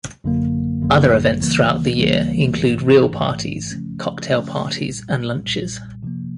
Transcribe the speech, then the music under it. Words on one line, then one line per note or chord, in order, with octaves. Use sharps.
Other events throughout the year include reel parties, cocktail parties and lunches.
G#1 F#2 D3 F#3 A#3
G#1 F#2 D3 F#3 A#3
D2 C#3 E3 G3 A#3
D2 C#3 E3 G3 A#3
A1 G#2 E3 A3
A1 G#2 E3 A3
C#3 F3 A3 C#4
C#3 F3 A3 C#4
B1 A#2 G3
B1 A#2 G3
C3 F3 A#3